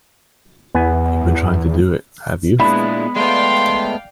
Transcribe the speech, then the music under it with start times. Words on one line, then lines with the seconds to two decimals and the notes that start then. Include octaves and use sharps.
You've been trying to do it, have you?
0.75 E2 B3 G#5
2.60 A#2 G#3 B3 D4 E4 B5
3.16 G#3 A3 B3 D5 F5 G5 C6